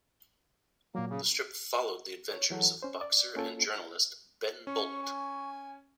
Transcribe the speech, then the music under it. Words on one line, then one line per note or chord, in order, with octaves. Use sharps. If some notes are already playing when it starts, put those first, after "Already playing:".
The strip followed the adventures of boxer and journalist Ben Bolt.
A#2 F#3 A#3
C#3
C#5
E3 F#3 F#4 A4
C#4 C5
D5
A#3 C#4 F4 A4
C#4 C#5 C#6
G#5